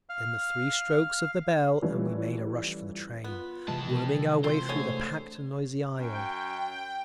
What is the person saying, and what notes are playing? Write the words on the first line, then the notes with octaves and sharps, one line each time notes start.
Then the three strokes of the bell and we made a rush for the train, worming our way through the packed and noisy aisle....
F5
E3 F3 G3 A3 C#4
B3 F4
F2 C3 E3 G#3 A5
A#4
C4 F4 F#4 C5
D3 A3 G#4 C#5
F#2 G5